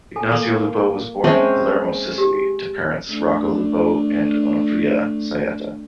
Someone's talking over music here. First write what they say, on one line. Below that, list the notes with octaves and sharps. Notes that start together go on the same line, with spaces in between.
Ignazio Lupo was born in Palermo, Sicily, to parents Rocco Lupo and Onofria Saietta.
A4 G#5
A#3 A4
G#3 C4 C#4 E5 A5
G4
A3 D4